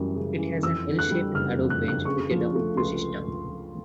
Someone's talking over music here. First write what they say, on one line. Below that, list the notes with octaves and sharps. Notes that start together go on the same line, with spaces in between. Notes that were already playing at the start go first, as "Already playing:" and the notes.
It has an 'L' shaped adobe bench with a double flue system.
Already playing: F#2 E3 G3
C#3
E3
F2 E6
D3
F#6
G3
F#1 F6
F2
F#6
D3
F#6
C#3 C#6
F3
A3
C#2 C6